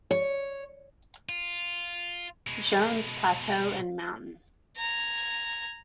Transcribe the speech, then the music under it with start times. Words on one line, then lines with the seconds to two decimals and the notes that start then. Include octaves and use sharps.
Jones Plateau and Mt.
0.11 C#5
1.29 F4
2.47 B2 G#3
4.78 A#5 G#6